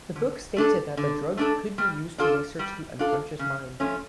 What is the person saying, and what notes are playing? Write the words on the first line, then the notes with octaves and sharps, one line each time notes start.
The book stated that the drug could be used to research the unconscious mind.
D3
A3 D4 A4
D3
A3 D4 A4
G3
D4 F4 A4
G3
D4 F4 A4
C#3
F3 A3 C#4